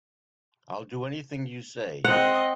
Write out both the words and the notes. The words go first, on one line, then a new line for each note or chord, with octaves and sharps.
I'll do anything you say.
C4 D#5 F#5